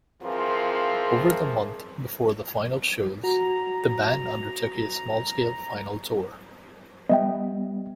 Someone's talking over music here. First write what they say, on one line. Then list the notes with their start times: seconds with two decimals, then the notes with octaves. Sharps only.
Over the month before the final shows, the band undertook a small-scale final tour.
0.22 E3 F3 C4 F4 G#4 A#4
3.24 F#4 A#5
7.09 G3 B3 D#5 E5 G5